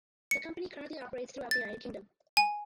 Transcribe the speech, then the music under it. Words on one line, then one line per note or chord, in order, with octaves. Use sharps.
The company currently operates throughout the United Kingdom.
C#7
A6
G#5